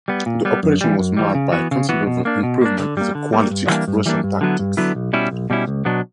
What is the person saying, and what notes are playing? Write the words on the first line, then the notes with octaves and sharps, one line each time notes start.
The operation was marked by a considerable improvement in the quality of Russian tactics.
G3 B3
A#2
G3 B3
F#2
E3 G3
F#2
E3 G3
C#3
E3 B3 F#4
C#3
E3 B3 F#4
B2
A#3 D4
B2
A#3 D4
D3
G3 A#3
D3
G3 A#3
G2
E3 G3 A#3 D4
G2
E3 G3 A#3 D4
G2
D3 F#3 B3 E4
G2
D3 F#3 B3 E4
B1
B2 G3 C#4 E4
B1
B2 G3 C#4 E4
C#2
B2 F#3 B3 D4